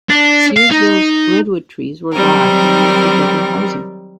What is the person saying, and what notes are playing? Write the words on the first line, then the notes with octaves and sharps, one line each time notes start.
Searsville's redwood trees were logged and used for building housing.
D4
F5
D#4
D#3 F#3 G3 C4 A#4